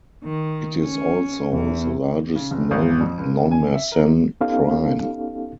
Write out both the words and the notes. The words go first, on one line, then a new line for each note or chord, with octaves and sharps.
It is also the largest known non-Mersenne prime.
D#3
C#4
E2
C#3
F1
G#1
F2
C#2
C#3
G#5
E5
A#4
B3 C#4 D#4 G4 A4 F5